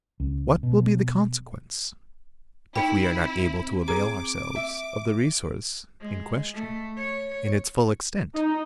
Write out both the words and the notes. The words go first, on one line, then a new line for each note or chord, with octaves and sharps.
What will be the consequence, if we are not able to avail ourselves of the resource in question in its full extent?
C#2
B2
C4 D#4 E4 G5 B5
G#4 A#5 D6
E5
G#3
A3
C#5
D#4